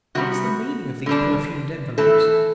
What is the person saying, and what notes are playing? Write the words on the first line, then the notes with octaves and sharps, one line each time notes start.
What is the meaning of these perfumed envelopes?
C3 G3 B3 F#4
D3 G3 D4
E3 A3 C4 A4